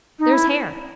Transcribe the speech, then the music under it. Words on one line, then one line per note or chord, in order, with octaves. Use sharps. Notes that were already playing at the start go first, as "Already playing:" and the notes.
There's hair.
D#4
E4